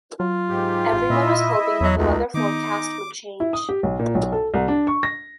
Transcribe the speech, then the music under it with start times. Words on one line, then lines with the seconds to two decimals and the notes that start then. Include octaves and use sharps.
Everyone was hoping that the weather forecast would change.
0.20 F#3 F4
0.49 G#2 G4
0.93 A1
1.10 A#2 E4 D#5 E5
1.81 E2 F#3
1.97 C#2 A3 D#4 F#4
2.34 D#3 B3 D#4 D6
3.40 E4
3.53 D#6
3.69 G4
3.83 B1
3.99 A#2
4.15 B1
4.32 A4
4.54 C2
4.68 D4
4.87 C#6
5.03 A#6